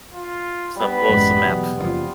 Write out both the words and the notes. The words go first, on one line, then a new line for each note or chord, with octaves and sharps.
some most of map f
F4
G3 B3 B5
A1 F#2 G#3
B1 E2 B2
F#1 C3 F3 F4